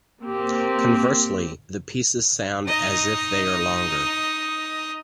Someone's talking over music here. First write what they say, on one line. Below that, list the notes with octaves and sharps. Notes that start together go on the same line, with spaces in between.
Conversely, the pieces sound as if they are longer.
A#3 C4 G4
D#4 D#5